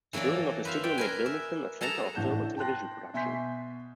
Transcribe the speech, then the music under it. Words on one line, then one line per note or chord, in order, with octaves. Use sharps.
The building of the studio made Wilmington a center of film and television production.
E3 F#3 A#3 A4 D5
B4 C5 E5 F5
D5 G5
A#4 B4 G#5
E5
G#4 A4 F#5 A5 A#5
A1 A2 D4 F#5 G6 E7
G5 A5 C6 F#6 A#6
B2 E5 G#5 C6 G6 B6